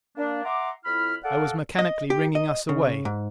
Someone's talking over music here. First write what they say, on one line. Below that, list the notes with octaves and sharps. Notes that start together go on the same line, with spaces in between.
I was mechanically ringing us away.
A#3 D4
E5 F#5 A#5 C6 D6
F2 E4 B5 F6
A4 A#4 D5 F5 F#5
D#5
G4
D#5
C#3
G#2